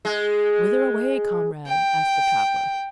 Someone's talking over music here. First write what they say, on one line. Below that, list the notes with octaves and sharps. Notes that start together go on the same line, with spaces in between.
"Whither away, comrade," asked the traveller.
G#3
G5